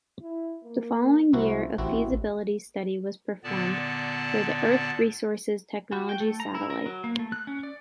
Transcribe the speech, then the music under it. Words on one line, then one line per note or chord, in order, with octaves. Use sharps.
The following year a feasibility study was performed for the Earth Resources Technology Satellite.
E4
A#3
C2 E4 F#4 C5
A1 C3 C4 E4 F#4
A#2 D3 B3 D5 A5
F#4
G5
A3
A#5
E4
A#4
F#3
A#3
A3
F#6
C#4
D5